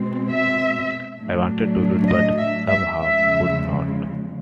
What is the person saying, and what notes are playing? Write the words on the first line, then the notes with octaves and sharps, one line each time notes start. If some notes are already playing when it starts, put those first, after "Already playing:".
I wanted to read, but somehow could not.
Already playing: B2 G#3 C4
E5
A2 F#3 A3 D4
D#5
E5
E5
E2 C#3 F3 G#3 E5